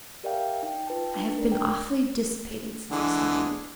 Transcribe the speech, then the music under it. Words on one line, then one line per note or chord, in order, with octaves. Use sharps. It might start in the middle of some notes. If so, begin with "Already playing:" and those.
'I have been awfully dissipated since I saw you.'
G4 A#4 D5 E5 F5 G5
D#4 G5
F4 B4 G5 A5
D4 D#4
A#4 D5
G5
D3 E3 G#3